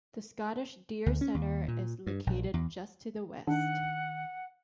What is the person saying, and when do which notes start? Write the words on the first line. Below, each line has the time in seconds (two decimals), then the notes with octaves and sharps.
The Scottish Deer Centre is located just to the west.
1.06 D2
1.21 C#4
1.34 D#2
1.68 A#2
2.07 G2
2.27 A#1
2.54 E2
3.47 D#3 D4 D#4 F#5